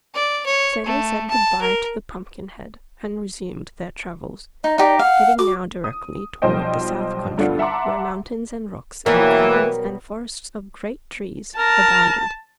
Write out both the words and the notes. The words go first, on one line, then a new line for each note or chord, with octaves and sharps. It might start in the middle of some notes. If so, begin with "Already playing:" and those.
So they said good-bye to the Pumpkinhead and resumed their travels, heading now directly toward the South Country, where mountains and rocks and caverns and forests of great trees abounded.
D5
C#5
A3
A5
A#4
D#4 D#5
D#4 G4 D5
F5 F#5
F#4 D6
D#6
B1 F3 G3 C5 D#5 G5
G2 D3 A3 B3 D4 F4
E5 F#5 A5 A#5 C6 D6
B2 E3 F#3 G3 A#3 A#4
A#4 A5